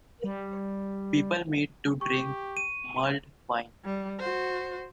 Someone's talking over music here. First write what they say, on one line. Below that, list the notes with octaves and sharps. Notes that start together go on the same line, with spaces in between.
People meet to drink mulled wine.
G3
G4 C#6
D#7
G3
F#4 C5